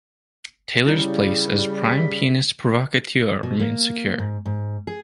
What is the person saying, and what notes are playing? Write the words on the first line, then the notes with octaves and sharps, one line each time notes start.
Taylor’s place as prime pianistic provocateur remains secure.
C#3 G3 E4
B6
B2
A#3
G#2
G#2
G#4